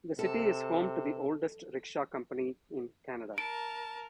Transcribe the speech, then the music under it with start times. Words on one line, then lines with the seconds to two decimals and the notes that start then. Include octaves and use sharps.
The city is home to the oldest rickshaw company in Canada.
0.19 C3 A4
3.38 A#4 A5 D7